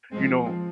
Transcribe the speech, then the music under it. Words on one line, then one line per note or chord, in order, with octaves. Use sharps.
you know
F3 G#3 C4
F3